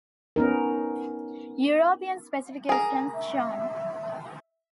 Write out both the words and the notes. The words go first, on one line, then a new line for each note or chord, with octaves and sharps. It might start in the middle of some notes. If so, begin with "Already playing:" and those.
European specifications shown.
B3 C#4 D#4 A#4
G#4 A#4
E5